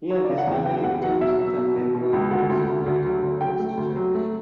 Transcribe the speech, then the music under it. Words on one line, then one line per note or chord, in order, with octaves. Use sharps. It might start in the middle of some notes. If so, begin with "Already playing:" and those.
He and his family attend Tahlequah First United Methodist Church.
F#3 C#5
D5
C#3
F#5
E2 G5
F#3 G5
E2 F#5
F#3 F#5
B2 E5
F#3
B2
B2
B2
C#2
D2 F#5
D2
D2
D2
F#3
D2
F#3 G5
A3
D2
F#3
A3